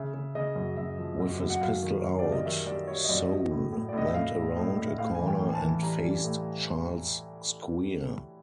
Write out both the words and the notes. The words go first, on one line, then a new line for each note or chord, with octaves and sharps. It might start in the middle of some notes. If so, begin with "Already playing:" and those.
With his pistol out, Soule went around a corner and faced Charles Squier.
Already playing: C#3 E5
C#3
C#3 D#5
F#2
F#2 E5
F3
F#2
F#2
F#5
F#2 F5
D#3
F#2
D5
G3
D#5
D#3 E5
G3 D5
G3 C#5
D#5
F#2 D5
F#3 D#5
A2
A2
D5
A2 D#5
E5
A2 F5
A2
A2
A2
E5
A2 F5
E3 G#5
G5
A2
G#5
A5
E3
G3 A#5
G3
A2